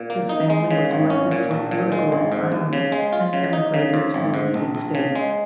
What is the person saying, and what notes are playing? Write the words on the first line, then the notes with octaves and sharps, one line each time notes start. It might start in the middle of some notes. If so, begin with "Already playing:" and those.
His family was selected for political asylum and emigrated to the United States.
Already playing: A#2
A#3
D#4
G#3
C#3
G#1
C#4
A#2
A#1
A#2
G#3
G#1
G#2
D#2
C#3
G#3
F4
C#3
D#4
C#3
F2
G#1
G#2
A#1
A#1
C#3
G#3